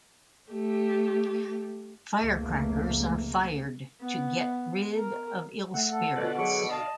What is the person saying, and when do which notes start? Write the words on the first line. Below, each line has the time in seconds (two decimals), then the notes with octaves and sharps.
Firecrackers are fired to get rid of ill spirits.
0.52 A3 G4
2.21 F1 C#2 B2 A3 A#3
4.00 B3
4.96 A#4
5.74 A3 F#5
5.92 A4
6.16 B2 D3 F4 B4 D5
6.38 F#3 G#4 B5 C#6 D6
6.69 D5 D#5 F5 A5